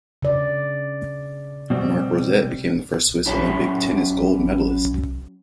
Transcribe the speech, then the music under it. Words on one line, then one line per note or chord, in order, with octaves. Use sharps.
Marc Rosset became the first Swiss Olympic tennis gold medallist.
C#3 D5
B2 G3 C4
F#2 E4 G4 C#5 E5 A5